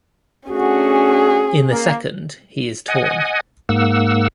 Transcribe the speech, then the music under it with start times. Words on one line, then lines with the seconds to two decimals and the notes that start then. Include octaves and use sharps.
In the second, he is torn.
0.49 A3 C#4 D4 F#4 G#4
1.70 A#3
2.88 D#5 F#5 G#5
3.69 G#2 A#3 F#5 E6